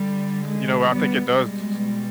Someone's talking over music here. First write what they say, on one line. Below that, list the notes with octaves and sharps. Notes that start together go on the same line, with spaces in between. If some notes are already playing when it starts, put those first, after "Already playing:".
you know, I think it does s
Already playing: D3 G3
G#3
G3 B3
B2 G3 G#3